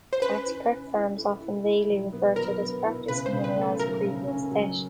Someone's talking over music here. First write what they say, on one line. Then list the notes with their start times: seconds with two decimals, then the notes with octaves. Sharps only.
Tax prep firms often vaguely refer to this practice merely as "previous debt".
0.13 C5
0.22 C#4 B4
0.46 E4
0.70 C#4
0.94 E4
1.17 A4
1.41 E4
1.65 E4
1.89 F#3
2.13 B3
2.36 F#3 A#4
2.60 B3
2.84 E4
3.08 C#3 B4
3.26 C5
3.32 C#3
3.44 B4
3.56 A3
3.61 A4
3.79 F#3 A#4
4.03 C#3
4.27 C#4
4.51 F#3